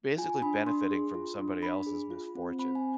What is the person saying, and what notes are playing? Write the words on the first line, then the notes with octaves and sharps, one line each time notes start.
basically benefiting from somebody else's misfortune."
F4 G#5
D4 B5
D4 C6
G#4
F4
D4
D4 B5
G#4
F4
C4
C4 B5
G#5